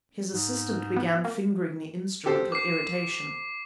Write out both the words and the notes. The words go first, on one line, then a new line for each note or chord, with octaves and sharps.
His assistant began fingering the instrument with irritation.
G#2
B3
A#3
G4 A4 C5
D6 C7